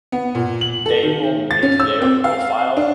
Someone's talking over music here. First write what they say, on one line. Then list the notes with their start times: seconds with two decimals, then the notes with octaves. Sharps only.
they will make their profile
0.12 B3
0.35 A#2
0.61 F#7
0.86 A4
1.03 D#3
1.51 A6
1.63 C#4
1.80 E6
2.02 C4
2.24 F5
2.77 D4